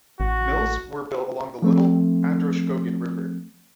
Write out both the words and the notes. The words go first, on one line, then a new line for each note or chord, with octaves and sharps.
Mills were built along the Little Androscoggin River.
A1 F#4
F3 A3 C4